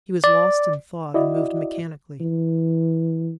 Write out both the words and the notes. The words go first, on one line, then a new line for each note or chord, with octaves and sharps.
He was lost in thought and moved mechanically.
D5
E4 F#4 D5 D#5
E3